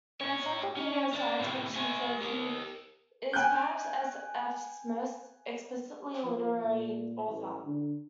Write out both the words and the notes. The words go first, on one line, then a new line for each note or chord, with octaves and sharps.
"The Encyclopedia of Science Fiction" says "he is perhaps sf's most explicitly literary author".
A2 C#5
C#4
C#4 D5
A2 C3
A3 G#5
G4 A#4
G5 G#5 F#6 G6
F3
A#2
A1
D3